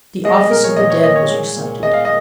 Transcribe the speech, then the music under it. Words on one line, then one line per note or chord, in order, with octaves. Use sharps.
The Office of the Dead was recited.
G#3 D#5
D#5
A#2 A#4
C#5
A#2 D#5
C#5
A#2 D#5
C#5
G#3
A#2
G#3 D#5
F5
D#5